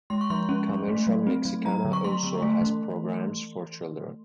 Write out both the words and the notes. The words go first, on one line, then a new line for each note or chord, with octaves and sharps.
Comercial Mexicana also has programs for children.
G#3 C6
C#6
F3 C6
C#4
F3
A3
F#3
C4
F#3
F#3 A#5
D3
C#6
A3 C6
D3
A3
E3